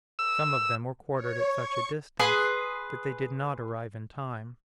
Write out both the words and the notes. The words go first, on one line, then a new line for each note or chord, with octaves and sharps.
Some of them were quartered at such a distance that they did not arrive in time.
E6
C#5
C#6
G#4 B4 C6